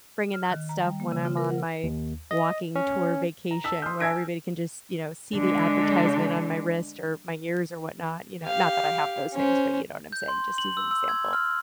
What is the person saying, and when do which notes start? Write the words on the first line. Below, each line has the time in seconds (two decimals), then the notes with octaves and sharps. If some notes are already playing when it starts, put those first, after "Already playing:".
bringing that stuff when I'm on my walking tour vacation where everybody can just, you know, see the advertisement on my wrist or my ears or whatnot, you know? Not that I have those things, but you know what I'm saying, just as an example,
0.34 F6
0.51 D#3
0.69 A#5
0.83 G3
1.00 A#3
1.12 C#3
1.25 F4
1.37 A#4
1.50 F#5
1.83 D#2
2.31 D#5
2.76 C#4
3.51 A#5
3.64 A5 E6 B6
3.82 C6 D#6 F6 G6
4.00 G#5 A5 E6 G#6 A#6 D7
5.35 D3 G#3
8.45 G4 F5
9.34 C#4 C5
10.12 G6
10.28 C6
10.58 F#7
10.77 E6
10.91 E6
11.09 G#6
11.33 F6